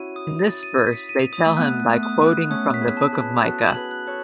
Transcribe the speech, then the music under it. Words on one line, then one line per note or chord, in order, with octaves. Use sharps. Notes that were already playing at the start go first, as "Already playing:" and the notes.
In this verse they tell him by quoting from the Book of Micah.
Already playing: C#4 E4 F#4 D#7
D#6
A6
D#7
B6
D#7
D#6
A3
B3 F#6
F#6
A3
D#6
B3
F#6
A3 C#4 D#6
B6
E4 G#4
A5
G#4 B4
A5
F#4 A4 F#6
F#7
G#4 B4
F#6
A4 C#5